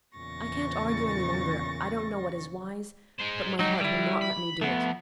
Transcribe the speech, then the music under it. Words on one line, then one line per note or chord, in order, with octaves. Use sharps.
I can't argue any longer,--I don't know what is wise; but my heart will not let me do it.
E2 A#2 C#3 C#6 A6 A#6
G#3 C5
F#3 G#3 D#4 G4
D3 G3 E4
B5
F2 A3 B3